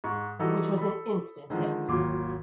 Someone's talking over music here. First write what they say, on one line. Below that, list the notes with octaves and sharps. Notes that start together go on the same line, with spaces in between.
Which was an Instant hit.
G#2 C#6
E3 G3 D#4 F#4 A4
A4 B5
D3 D#3 F3 G#3
G#1 D#2 F#3 F4 D6